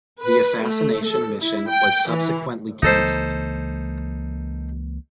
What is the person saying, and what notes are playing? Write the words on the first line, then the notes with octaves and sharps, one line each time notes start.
The assassination mission was subsequently cancelled.
B4
A3
A4
E4
G5
E3
C#2 E3 A#3 D#4 A4 C5